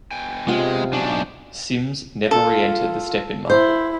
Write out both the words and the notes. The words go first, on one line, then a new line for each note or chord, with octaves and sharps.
Sims never re-entered the step-in market.
B2 G5 G#5
C3 G#3 F4 F#5
B1 D4 F#4 G#5
F4 A4
E4 C5